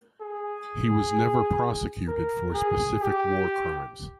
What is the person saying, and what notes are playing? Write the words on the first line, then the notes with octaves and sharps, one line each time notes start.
He was never prosecuted for specific war crimes.
G#4
A#4
G#4
G4